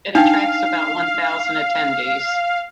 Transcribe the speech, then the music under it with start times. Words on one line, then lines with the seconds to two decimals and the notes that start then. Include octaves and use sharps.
It attracts about one thousand attendees.
0.15 D4 D#4 F5 G5